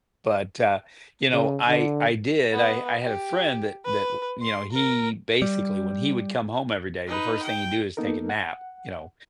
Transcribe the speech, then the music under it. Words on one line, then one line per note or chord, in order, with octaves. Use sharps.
but, uh, you know, I I did I I had a friend that, that, you know, he basically, when he would come home every day, the first thing he do is take a nap, you know,
C#3
D3
B3
G4
B4
C6
A#4
G3
D#4 B4
G5
A#3 B3 D#4 A4 A#4
F#5